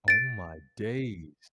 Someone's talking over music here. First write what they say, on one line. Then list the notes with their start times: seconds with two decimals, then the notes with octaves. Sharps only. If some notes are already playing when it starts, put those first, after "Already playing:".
Oh my days.
0.08 A6 D7